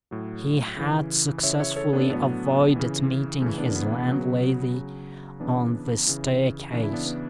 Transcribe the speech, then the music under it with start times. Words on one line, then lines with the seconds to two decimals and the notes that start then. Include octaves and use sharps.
He had successfully avoided meeting his landlady on the staircase.
0.11 A2 F#3
0.77 C#3 E3
1.43 C#3 E3 C#5 E5
1.60 C#5 E5
1.76 A4 C#5
1.93 B3 D4
2.09 A2 F#3 B3 D4
2.76 C#3 E3
3.42 C#3 E3 A3 C#4
3.58 B3 D4
3.75 B3
3.92 B3
4.08 C#3 F#3 B3
4.74 C#3 F#3
5.40 C#3 E3 B3 D4
6.07 C#3 E3
6.72 C#3 E3 D4
6.83 E4
6.93 B3 D4
7.06 B3